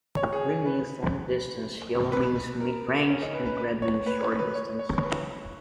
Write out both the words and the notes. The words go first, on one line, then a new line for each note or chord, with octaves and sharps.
Green means long distance, yellow means mid range and red means short distance.
C#5
G#4
B4
B4
A#4
C#4
D#4
B4
B4
B4
C#5
B4
C#5
B4
C#5
C#5
C#5
B4